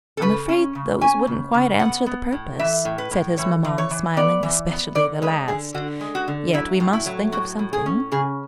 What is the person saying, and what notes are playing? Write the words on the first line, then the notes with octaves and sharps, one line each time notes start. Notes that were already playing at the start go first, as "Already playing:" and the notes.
"I'm afraid those wouldn't quite answer the purpose," said his mamma, smiling--"especially the last; yet we must think of something."
A4
C#3 B4
C#4
C#3
C#4 G#5
C#3
C#3
B3 F#5
B3
A2
E3 E5
A2
B4
A2
E3 C#5
E3
C#5
E3
B3 D5
E3
B3
D3 D5
G#3 B4
D3 G#4
D3 F#4
G#3
F#4
D3
F#3 E4
A2
E4
F#3
A2 F#4
A2
G#4
C#4
C#3 G#4